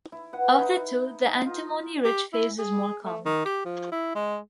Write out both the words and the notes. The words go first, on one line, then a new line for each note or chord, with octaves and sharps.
Of the two, the antimony rich phase is more common.
E4
B4 F#5
D#4 E4
D#4
F4
G4
E4
G#4
A3
D#3
G4
F3
E4
G#3